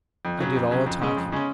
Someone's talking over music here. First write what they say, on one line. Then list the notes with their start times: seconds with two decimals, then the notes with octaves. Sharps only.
I did all the talking.
0.25 F2
0.40 C#3 F#3
0.56 F2
0.71 C#3 F#3
0.86 F2
1.01 C#3 G#3 C#4
1.17 F2
1.32 C#3 G#3 C#4